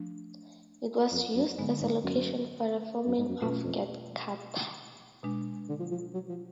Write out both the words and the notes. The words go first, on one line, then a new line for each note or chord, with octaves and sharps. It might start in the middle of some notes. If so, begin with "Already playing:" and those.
It was used as a location for the filming of "Get Carter".
Already playing: F3 A3 D4
F2
F#2
G#2 D3 G#3 B3
G#2
F#2
F#2
G#2
F#2
F#2 B2 A3 C#4 F4 B4
F2
B2 G#3 D4
D3
F3
F3
F#3
F3